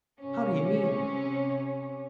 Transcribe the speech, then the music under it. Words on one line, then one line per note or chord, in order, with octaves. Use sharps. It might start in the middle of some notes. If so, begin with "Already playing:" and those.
"How do you mean?"
C3 C#4